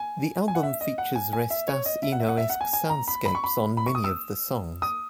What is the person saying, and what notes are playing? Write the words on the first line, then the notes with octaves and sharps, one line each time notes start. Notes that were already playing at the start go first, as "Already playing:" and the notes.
The album features Restas' Enoesque soundscapes on many of the songs.
Already playing: G#5
G#5
F#5
E5
D#5
F#5
G#5
G#5
E5
C#5
D#5
E5
F#5
E5
F#5
E5
F#5
G#5
G#5
A#5
B5
B5
C#6
B5
B5
C#6
D#6
E6
D#6